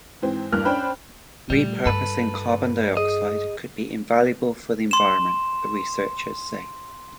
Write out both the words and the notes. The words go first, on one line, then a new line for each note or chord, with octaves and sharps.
Repurposing carbon dioxide could be invaluable for the environment, the researchers say.
G#2 E3 C4
E2 G2 A#3 F6 F#6
C#4 D4 C5 G5 B5
A#2 G3 A3
G2 A4 B4
G#4 D#5
C6 E7